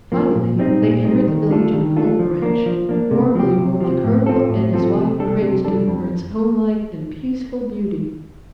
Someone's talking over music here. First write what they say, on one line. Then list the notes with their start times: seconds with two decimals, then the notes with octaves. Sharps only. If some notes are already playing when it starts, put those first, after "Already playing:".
Finally they entered the village of Cold Branch. Warmly both the Colonel and his wife praised it for its homelike and peaceful beauty.
0.12 F3 A#3
0.35 A#2
0.59 G3 C4 D#4
0.82 A#2
1.05 G3 C4 D#4
1.27 D#3
1.51 A3 D4 F4 A4
1.73 D#3
1.96 A3 D4 F4 A4
2.19 F3
2.42 A#3 D4
2.66 F3
2.89 A#3 D4
3.11 C3
3.35 F3 C4 G4
3.58 C3
3.80 F3 C4 G4
4.04 A2
4.26 F3 C4 F4 A4
4.49 A2
4.73 F3 C4 F4 A4
4.95 C3
5.19 G3 D4 A4
5.42 C3
5.65 G3 D4 A4
5.87 F2